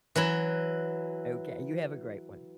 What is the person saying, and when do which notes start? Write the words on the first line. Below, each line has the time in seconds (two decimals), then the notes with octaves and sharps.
okay, you have a great one.
0.15 E3 F#3 E4